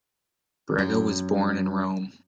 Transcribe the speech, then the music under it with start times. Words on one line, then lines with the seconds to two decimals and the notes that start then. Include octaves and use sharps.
Brega was born in Rome.
0.78 F#2